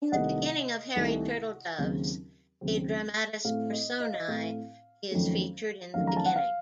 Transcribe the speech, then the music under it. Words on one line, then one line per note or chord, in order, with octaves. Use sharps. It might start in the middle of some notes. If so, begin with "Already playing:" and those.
In the beginning of Harry Turtledove's a dramatis personae is featured in the beginning.
C2 C3 D#3 A3 D#5 F#5
C2 C3 D#3 A3
D#2 C#3 F#3 C4
D#2 C#3 F#3 C4
A2 A3 C4 F5
D#5
D#5
F5
D#5
A2 A3 C4 F5
F2 D#3 F#3 A3 C#4
F2 D#3 F#3 A3 C#4 F5
A#5
A5
F#5
F5